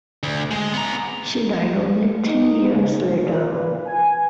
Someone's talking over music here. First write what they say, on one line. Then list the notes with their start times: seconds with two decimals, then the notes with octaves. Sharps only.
She died only three years later.
0.23 D2
0.51 G#3
0.73 B3 A#5
2.27 D#4
2.72 C#3
3.22 A#2
3.54 B4
3.86 G#5